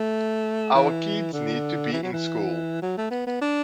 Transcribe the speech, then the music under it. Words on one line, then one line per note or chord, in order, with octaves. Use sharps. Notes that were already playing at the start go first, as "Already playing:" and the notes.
Our kids need to be in school.
Already playing: A3
E3
D3
E3
F#3
E3
F#3
A3
B3
B3
D4